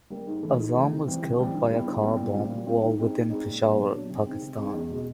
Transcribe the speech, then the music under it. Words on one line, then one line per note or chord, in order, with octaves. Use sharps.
Azzam was killed by a car bomb while within Peshawar, Pakistan.
G3 A#3
G#2
E3 A3
G#2
E3 A3
C3
E3 G3 C4
C3
E3 G3 C4
D3
G3 B3 E4
D3
G3 B3 E4
A#2
G3 C4 F4
A#2
G3 C4 F4
D#3
G#3 C4 D#4
D#3
G#3 C4 D#4
A#2
F#3 B3 D4
A#2
F#3 B3 D4
C3
D#3 G#3 C4
C3
D#3 G#3 C4
E2
B2 G#3